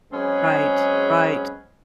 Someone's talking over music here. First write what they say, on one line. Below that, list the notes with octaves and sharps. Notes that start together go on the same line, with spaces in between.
Right, right.
F#3 G#3 C4 C#4 G#4 B4